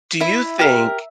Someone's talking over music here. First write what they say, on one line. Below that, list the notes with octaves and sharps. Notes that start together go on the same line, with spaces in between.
do you think
E4 E5
G4 A#4